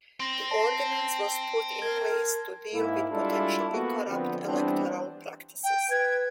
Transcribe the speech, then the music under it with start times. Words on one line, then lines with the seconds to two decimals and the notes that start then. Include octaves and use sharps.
The ordinance was put in place to deal with potentially corrupt electoral practices.
0.20 C4 C6 A#6
0.51 A5 C7
1.82 A#4 G#6
2.74 G#2 A#3 E4
3.10 G3 G#3 D4 E4 F4 A4
3.72 A#3 B3 F#4 A4
4.08 D3 F3 B3 C4
4.45 E3 G3 B3 C4 D4
5.64 G5
5.91 B4 G#6